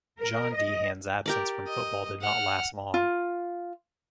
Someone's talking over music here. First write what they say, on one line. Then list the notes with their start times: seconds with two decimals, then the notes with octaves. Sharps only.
John Deehan's absence from football did not last long.
0.20 A#4
0.55 D#5
1.26 G4 A#4 D5
1.68 D#5
2.21 F#5 F6
2.94 F4